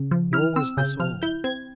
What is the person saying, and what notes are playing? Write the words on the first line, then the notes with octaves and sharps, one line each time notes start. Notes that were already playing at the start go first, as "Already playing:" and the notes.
Nor was this all.
Already playing: C#3
F3
E4 F6
C4 E6
C#3 G6
F3 F6
E4 G6
C4 G#6